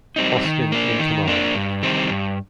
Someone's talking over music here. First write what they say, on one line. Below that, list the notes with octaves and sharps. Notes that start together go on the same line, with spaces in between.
Austin in command.
G3 C4 D#4
D#3
A#3 D4
D#3
A#3 D4
G2
D#3 G3 C4
G2